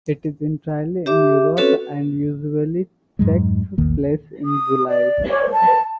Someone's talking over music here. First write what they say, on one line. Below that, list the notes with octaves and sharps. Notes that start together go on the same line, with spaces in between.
It is entirely in Europe, and usually takes place in July.
G4 E5 D6
C4 C#4 F#4 A4 B4 C#5
F2 G#2 F#3 G#3
A#1 E2 D#3 A#3
D#6
D5
C#5
A5